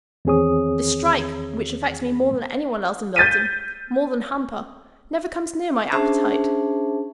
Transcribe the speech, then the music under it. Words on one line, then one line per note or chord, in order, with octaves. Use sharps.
This strike, which affects me more than any one else in Milton,--more than Hamper,--never comes near my appetite.
E2 D#3 C4 G#4 C#5 D#6
G6 A6 B6 D#7
C#4 D4 G#4 C5 E5 A5